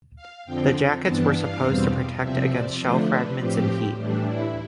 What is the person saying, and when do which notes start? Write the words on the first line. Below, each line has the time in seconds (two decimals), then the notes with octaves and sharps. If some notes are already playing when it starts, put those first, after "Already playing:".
The jackets were supposed to protect against shell fragments and heat.
0.16 F5
0.45 F2 D3 F3 C4 G5
1.03 G2 E3 B3 D4 A5
1.33 F5
1.62 E2 B2 G3 C4
2.21 C3 F3 C4 E5
2.50 D5
2.79 D3 F3 A3 D4 C5
3.08 B4
3.37 A2 F3 C4 G4
3.96 A2 E3 G3 D4
4.25 E4